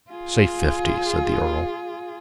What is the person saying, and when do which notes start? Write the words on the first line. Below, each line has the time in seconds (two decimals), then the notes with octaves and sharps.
"Say fifty," said the earl.
0.11 F4 G#4